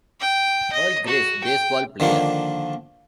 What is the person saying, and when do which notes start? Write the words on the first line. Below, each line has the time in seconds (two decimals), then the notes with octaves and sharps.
Earl Grace, baseball player.
0.20 G5
0.72 D#5
1.07 F#4
1.44 G5
2.00 D3 D#3 F3 A#3 D4